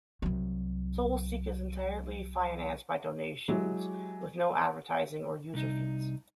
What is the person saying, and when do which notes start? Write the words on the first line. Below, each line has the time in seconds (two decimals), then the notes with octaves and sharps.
Soulseek is entirely financed by donations, with no advertising or user fees.
0.22 C2 F#3
3.48 F#3 G#3 E4 G4
5.54 C2 D#4